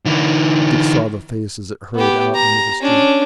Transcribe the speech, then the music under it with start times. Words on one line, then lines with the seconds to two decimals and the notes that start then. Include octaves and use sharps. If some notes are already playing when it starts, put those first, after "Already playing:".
Dick saw the face as it hurried out into the street.
0.05 D3 E3
1.95 B3 G4
2.35 A#5
2.81 C#4 D4